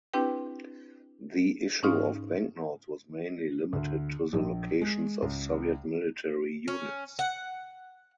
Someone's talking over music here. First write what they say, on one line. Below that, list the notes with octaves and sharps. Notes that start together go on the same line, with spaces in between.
The issue of banknotes was mainly limited to the locations of Soviet military units.
C4 D4 E4 G4 B4 G5
G#2 C#4 D#4 F5 F6
D2
A#1
G#3
C#2
C#4
F#5